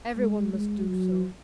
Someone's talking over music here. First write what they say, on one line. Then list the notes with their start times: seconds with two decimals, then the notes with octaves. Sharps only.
Every one must do so.
0.17 G#3
0.53 G#3
0.89 F#3